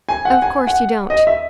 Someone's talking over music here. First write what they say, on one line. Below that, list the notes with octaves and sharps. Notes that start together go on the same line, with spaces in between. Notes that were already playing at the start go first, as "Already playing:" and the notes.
Of course you don't.
G#5
F#5
G#5
F#5
D#5
E5